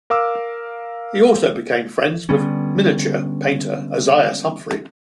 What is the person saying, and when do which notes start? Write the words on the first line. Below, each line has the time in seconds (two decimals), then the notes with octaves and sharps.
He also became friends with miniature painter Ozias Humphrey.
0.10 A#4 F5 D6 E6
2.29 D3 G3 B3 C#4